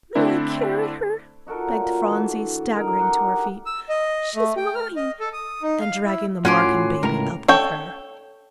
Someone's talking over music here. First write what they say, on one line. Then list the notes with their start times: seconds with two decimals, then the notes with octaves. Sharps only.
"May I carry her?" begged Phronsie, staggering to her feet--"she's mine"--and dragging the Marken baby up with her.
0.15 D3 A3 C4 D4 E4
1.46 D#4 F#4 A4 A#4
1.67 A#2 C#3
2.06 D3 E3 A4
2.76 D#4 A#4
3.00 G4 F#5 G5
3.66 E6
3.89 D#5
4.35 A3
4.57 G5
4.75 F6
4.96 D#5
5.20 A4
5.33 D#6
5.63 D#4
5.81 F5
6.05 E4
6.45 A2 C#4 F4 F#4 C6 D6
7.03 C#2 A2 A#4 A#5
7.48 A4 C#5 G5